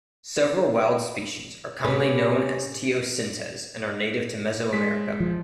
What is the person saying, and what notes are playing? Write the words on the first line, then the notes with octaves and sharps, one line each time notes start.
Several wild species are commonly known as teosintes and are native to Mesoamerica.
A2 C3 C#4 G4 B4
G#3 B6
F3